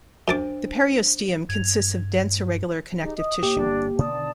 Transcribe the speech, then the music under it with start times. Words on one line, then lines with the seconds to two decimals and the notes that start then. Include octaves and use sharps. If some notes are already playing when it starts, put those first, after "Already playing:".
The periosteum consists of dense irregular connective tissue.
0.28 F#2 D4 C5 A5 D6
1.49 G2 G#6 F7
3.01 D#4 G4 G#4
3.16 D#5 D#6
3.43 A2 A#3 G4
3.56 G1 F2 D4
3.99 B2 D3 D#3 D5 A5 D#6